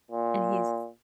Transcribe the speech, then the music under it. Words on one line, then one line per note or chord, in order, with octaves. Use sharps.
and he's
A#2